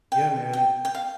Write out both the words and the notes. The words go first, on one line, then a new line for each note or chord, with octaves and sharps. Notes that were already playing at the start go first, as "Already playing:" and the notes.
Yeah, man.
G5
G5
G5
F5